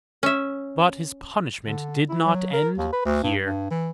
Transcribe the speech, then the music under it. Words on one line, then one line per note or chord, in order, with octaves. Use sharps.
But his punishment did not end here.
C#4 E5
D3
E4
F#3
A#4
D#2
B4
D2
G2
G2
E3